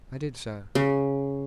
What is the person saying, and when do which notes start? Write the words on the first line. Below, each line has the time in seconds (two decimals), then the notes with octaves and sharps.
I did so.
0.75 C#3